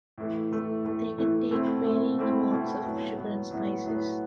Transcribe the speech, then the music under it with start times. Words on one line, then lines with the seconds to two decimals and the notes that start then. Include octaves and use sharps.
They can take varying amounts of sugar and spices.
0.18 A2 E3 A3
0.51 A2 E3 A3
0.85 A2 E3 A3
1.18 A2 E3 A3
1.51 B2 A3 C4 E4
1.84 B2 A3 C4 E4
2.18 B2 A3 C4 E4
2.51 B2 A3 C4 E4
2.84 A2 F#3 B3
3.18 A2 F#3 B3
3.51 A2 F#3 B3
3.84 A2 F#3 B3